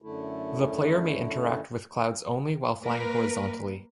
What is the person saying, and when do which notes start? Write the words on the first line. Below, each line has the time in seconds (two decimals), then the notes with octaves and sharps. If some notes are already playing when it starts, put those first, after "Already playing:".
The player may interact with clouds only while flying horizontally.
0.02 F#2 D3 A3 E4
2.83 A#3 A#4 B4